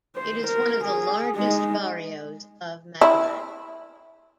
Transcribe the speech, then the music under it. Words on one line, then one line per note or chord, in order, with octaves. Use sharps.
It is one of the largest barrios of Magalang.
C5
A#4
G#4
G#3 D#4
E4